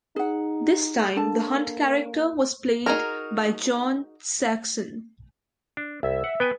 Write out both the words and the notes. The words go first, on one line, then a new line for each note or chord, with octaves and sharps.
This time, the Hunt character was played by John Saxon.
D#4 G#4 F#5
A#3 D4 A4 A5
D#4 F#4 G#4 A#4
D4
C2 E5
F#5
B3 B4 G5 G#5